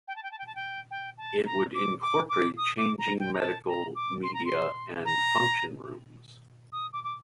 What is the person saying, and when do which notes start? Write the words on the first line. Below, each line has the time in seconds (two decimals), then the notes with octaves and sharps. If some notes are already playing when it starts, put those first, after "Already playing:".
It would incorporate changing, medical, media and function rooms.
0.08 G5
0.16 A5
0.23 G5
0.31 A5
0.39 G5
0.46 A5
0.55 G5
0.91 G5
1.18 A5
1.45 A#5
1.74 D6
2.01 D6
2.29 D6
2.57 D#6
2.77 D6
2.98 A#5
3.19 G5
3.33 A#5
3.39 A5
3.67 A#5
3.95 D6
4.23 C6
4.34 A#5
4.45 C6
5.05 A#5
6.72 D#6
6.93 D6
7.04 D6